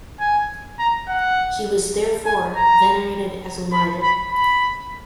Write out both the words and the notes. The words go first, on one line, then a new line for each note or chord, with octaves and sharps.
He was, therefore, venerated as a martyr.
G#5
A#5
F#5
G#5
A#5
B5
B5
B5